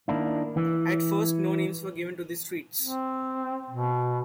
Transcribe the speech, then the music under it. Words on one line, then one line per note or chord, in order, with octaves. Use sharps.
At first, no names were given to the streets.
D#3 A#3 D4 E4
E3
C4
B2